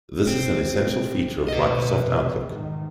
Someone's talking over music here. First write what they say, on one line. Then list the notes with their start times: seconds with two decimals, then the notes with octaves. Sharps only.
This is an essential feature of Microsoft Outlook.
0.27 C4
1.48 B1 A2 B4 D#5
1.92 F2 A2 C3
2.47 E2 G#2 D#3